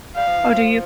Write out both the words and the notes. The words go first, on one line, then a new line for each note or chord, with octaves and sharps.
Oh, do you?
G3 F5
F3
E3
F3